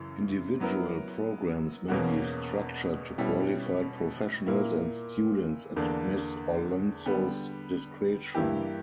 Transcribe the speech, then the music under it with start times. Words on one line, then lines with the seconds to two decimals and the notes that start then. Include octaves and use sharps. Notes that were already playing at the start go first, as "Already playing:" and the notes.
Individual programs may be structured to qualified professionals and students at Ms. Alonso's discretion.
Already playing: F#2 C#3 E3
0.60 F#3 B3 E4 A#4
1.88 E2 B2 A#3 C#4 F#4
3.18 B2 G3 C#4 E4
4.47 A#2 A#3 E4
5.76 E2 D3 A#3 D4
7.06 D3 G3 B3
8.34 G2 E3 A#3 E4 G4